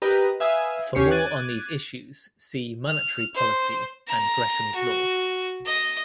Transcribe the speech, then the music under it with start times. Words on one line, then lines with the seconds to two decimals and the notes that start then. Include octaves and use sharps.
For more on these issues, see Monetary policy and Gresham's Law.
0.02 G4 A#4 B4 D#5 A#5
0.40 B4 E5 F5 G#5 D#6
0.95 D#2 C#4 G4 C#5 C7 C#7
1.10 D6 F#6 G#6 A6 D#7
2.87 F6
3.34 C5
4.08 A#5
4.75 F#4
5.66 D#5